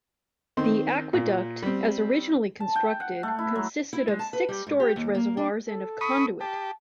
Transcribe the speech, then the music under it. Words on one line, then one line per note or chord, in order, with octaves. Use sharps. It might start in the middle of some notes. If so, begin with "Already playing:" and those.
The aqueduct as originally constructed consisted of six storage reservoirs and of conduit.
D#3 C4 C6
A#2
G3 C4
A5
G5
F#5
A3
E4
F#3
E4
G#3
A5
B4
G3
G#2
G4
D#2
A#3
D4
A4
B5 C#6 D#6
G4 A5